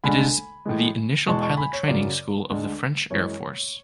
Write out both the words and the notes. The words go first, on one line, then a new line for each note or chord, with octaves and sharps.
It is the initial pilot training school of the French Air Force.
D2 D3 G#3 G#5 B5
A2 E3 G#3
E2 B2 G#3 A5 C#6
A5 C#6
G#5 B5
C#5
F#2 C#3 F#3 D5
D2 D3 G#3
F#2 E3 G#3 C#5